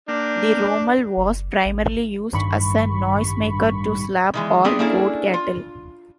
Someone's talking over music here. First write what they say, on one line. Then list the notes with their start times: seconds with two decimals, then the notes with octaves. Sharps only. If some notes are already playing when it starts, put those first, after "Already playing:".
The "romal" was primarily used as a noisemaker to slap or goad cattle.
0.08 A#3 D4 G5 F6
1.17 F#1
1.66 A1
2.32 A1 G2 D#3 B5 C#6
4.34 D#3 E3 G#3
4.64 B3 C4 D4 E4 G4 G#4
4.79 A#3 C#4 D4 E4 G#4 A4
5.34 F4